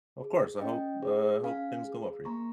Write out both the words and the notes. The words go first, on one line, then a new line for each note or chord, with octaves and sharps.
Well, of course, I hope uh, I hope things go well for you.
G#4
C#4 D#5 G5
G#4
C#4 F5 G#5
G#4
A#3 A#5 C#6